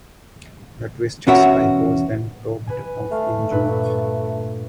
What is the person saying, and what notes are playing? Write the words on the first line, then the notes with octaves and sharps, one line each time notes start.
The twisted spike was then topped off in June.
E2 B2 C#4 F#4 A#4 E5
B4 G#5
A3 F5
G2 A#2 B4